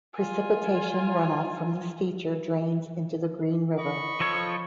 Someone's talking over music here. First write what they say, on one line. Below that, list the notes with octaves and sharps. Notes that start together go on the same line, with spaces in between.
Precipitation runoff from this feature drains into the Green River.
F4 G#5
D#5 B5 C#6
F3 A4 C#5